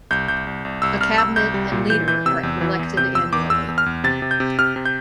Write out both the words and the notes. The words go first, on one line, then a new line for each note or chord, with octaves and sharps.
A cabinet and leader are elected annually.
C2 G6
C2 G6
C2
C2
C2 E6
C2 F6
C2 E6
C2 G6
G3
A#2
E3 G6
E3 G6
C3 E6
E2
E3
E2
C3 G6
E2 E6
E2 D6
E2 E6
E2
F6
E2
C3 A6
C3
G6
C3
C3 F6
C3
G6